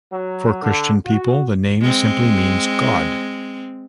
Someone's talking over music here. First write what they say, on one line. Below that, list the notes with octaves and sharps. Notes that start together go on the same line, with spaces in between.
For Christian people, the name simply means "God".
F#3
D3
F#4
G#3 C4